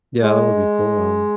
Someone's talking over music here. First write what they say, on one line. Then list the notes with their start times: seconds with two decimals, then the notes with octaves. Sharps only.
Yeah, that would be cool, um,
0.22 G#3